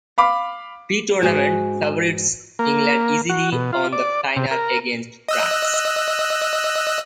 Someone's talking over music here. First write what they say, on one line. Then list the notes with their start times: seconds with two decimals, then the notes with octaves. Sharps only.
Pre-tournament favourites England easily won the final against France.
0.18 F5 B5 D6
1.22 G#2 F#4 G#4
2.59 A#3
3.29 F#4
3.52 B2
3.72 F4
3.93 D5
4.36 C3
4.51 A#4
5.28 D#5 E6 F#6